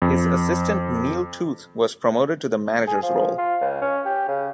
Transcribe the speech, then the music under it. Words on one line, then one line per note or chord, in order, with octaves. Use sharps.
His assistant Neil Tooth was promoted to the manager's role.
F2
G#4
F3
F4
C#2
C#4
G4
C#3